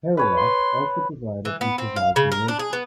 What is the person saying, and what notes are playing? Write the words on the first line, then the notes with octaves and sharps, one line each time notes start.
Kerouac also provided improvised narration.
B4 C#5 A5
C6
E3
B3
C4
F5
C#3
A#4
D4
G#4
B3